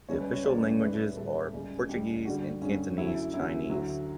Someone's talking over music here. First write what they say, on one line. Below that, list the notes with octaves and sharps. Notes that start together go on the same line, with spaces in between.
The official languages are Portuguese and Cantonese Chinese.
C#2 C#3 G3 C#5
B4
C#5
C#2 C#3 G3 D5
A2 G3 B4
A2 G3 A4
C#2 C#3 G3
C#2 C#3 G3 G4
G2 D3 G3 F#4
G2 D3 G3 C#4
F#2 D3 F#3 E4
F#2 D3 F#3 E4
D2 D3 F#3